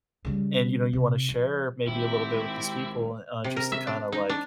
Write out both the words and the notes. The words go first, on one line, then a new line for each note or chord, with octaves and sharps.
and you know, you wanna share maybe a little bit with these people, uh, just to kinda like,
C#3 G3
C3
F3
G#1 C4 E4 G4
C3
A#4
E5
D4
D#4
D4